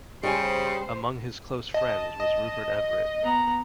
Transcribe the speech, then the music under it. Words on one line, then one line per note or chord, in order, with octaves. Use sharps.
Among his close friends was Rupert Everett.
C#3 G3 C5 G#5
D#5 A5
D#5
B3 A#5